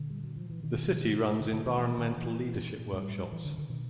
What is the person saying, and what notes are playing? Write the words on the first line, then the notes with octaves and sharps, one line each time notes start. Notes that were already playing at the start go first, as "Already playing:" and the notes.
The city runs environmental leadership workshops.
Already playing: A#2 D3
G3
F#3
F3
E3
B2 D#3
B2 D3
D3
D#3
E3
D#3
A#2 E3
A2 G3
E3
D3
D3
B2 D#3